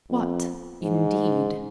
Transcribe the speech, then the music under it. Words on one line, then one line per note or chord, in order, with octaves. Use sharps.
What indeed!
F2
G#2